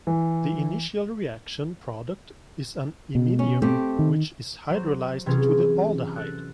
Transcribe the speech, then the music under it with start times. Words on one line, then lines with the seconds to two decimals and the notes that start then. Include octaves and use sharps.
The initial reaction product is an iminium which is hydrolyzed to the aldehyde.
0.07 E3
3.15 B2
3.39 C#4
3.62 A3 C4 G4
3.99 D#3
4.70 F#3 C5
5.26 C3 E3 F#3 C#4 F4 G#4
6.16 A4 F#6